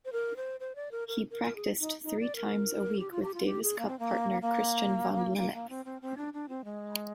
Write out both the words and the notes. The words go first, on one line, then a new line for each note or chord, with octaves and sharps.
He practised three times a week with Davis Cup partner Christiaan van Lennep.
C5
A#4
C5
C5
D5
A#4
A#4
A#4
A#4
G#4
D#4
D#4
D5
A#4
G4
F4
G4
F4
G4
G#4
A#3
C4
A#3
A#3
A#3
A#3
C4
C4
C4
D4
D4
C4
G#3